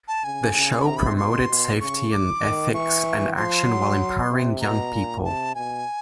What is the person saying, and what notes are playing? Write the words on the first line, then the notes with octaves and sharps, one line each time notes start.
The show promoted safety and ethics and action while empowering young people.
A5
C#3 G#5
C#3
B5
C3 A#5
B5
C6
B2 C6
B2
C#3 C#6
D6
D#3
E3 C#6
F3 C6
F#3
C3
B2 A#5
A#2
C3 A5
B2 G#5